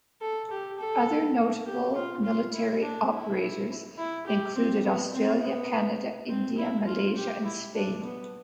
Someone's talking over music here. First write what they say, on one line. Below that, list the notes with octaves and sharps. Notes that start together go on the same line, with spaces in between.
Other notable military operators included Australia, Canada, India, Malaysia and Spain.
A4
G4
A4
G4
F4
F4
E4
D4
E4
E4
G4
C4
B3
C4
B3
C4
E4
F4
G4
E4
D4
B3